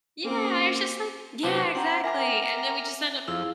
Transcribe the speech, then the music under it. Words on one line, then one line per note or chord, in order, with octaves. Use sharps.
Yeah, it's just like Yeah, exactly, and then we'd just end up
A#3 C4 C#4 D6
C3 F#3 D#4 B4 C5 A5 D6
C4 F#5 G5 A#5
A#4 E5 G#5 D6
F2 E4 G#4 F5